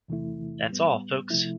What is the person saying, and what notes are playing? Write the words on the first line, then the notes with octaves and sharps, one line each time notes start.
That's all Folks!
E2 C3 E3 A3 E4
A2 G3 B3
C3 F3 A3 E4